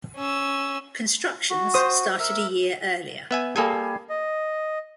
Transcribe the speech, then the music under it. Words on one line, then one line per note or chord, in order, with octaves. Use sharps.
Constructions started a year earlier.
C#4 E6
F#4
C5 D#6
A#4 E5 E6
B3 E5 G#5
G3 A#3 G#4 A4 G#5
D#5